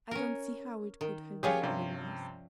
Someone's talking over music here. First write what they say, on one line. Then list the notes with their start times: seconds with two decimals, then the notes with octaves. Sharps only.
I don't see how it could have been otherwise.
0.11 C#4 A#4
1.01 D#3
1.43 F3 C#4 F4 G4 G#4 C#5
1.62 G2 C3